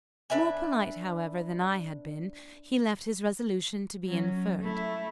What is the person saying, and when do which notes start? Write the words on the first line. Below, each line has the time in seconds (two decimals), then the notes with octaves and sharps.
More polite, however, than I had been, he left his resolution to be inferred.
0.30 D4 B4 E5 G#5
4.07 F#3 C#4
4.61 A3 E4